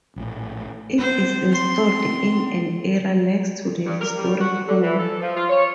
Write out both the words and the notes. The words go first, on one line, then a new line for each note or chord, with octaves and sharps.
It is installed in an area next to the historic home.
A#1 A2
B3 C4 C5
C6
G2
A#4
G3
F#4
D3
E3
A4
F3
F4
C#5